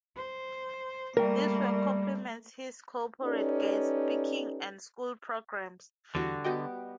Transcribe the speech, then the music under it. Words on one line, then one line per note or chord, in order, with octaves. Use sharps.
This work compliments his corporate guest speaking and school programs.
C5
G3 A3 A#3 A#4 G5
C#4 D#4 G4 A4 B4 D5
E2 D3 G3 F#4
B3 F#4 G4 D#5 G5